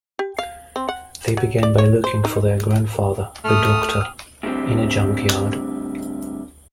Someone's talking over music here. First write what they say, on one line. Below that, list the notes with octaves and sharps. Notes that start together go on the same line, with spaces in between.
They began by looking for their grandfather, the Doctor, in a junkyard.
G4
F5
C4
F#5
F#3
D5
C#5
C5
D#4
A3 D#6 F6
A2 D3 G3 C4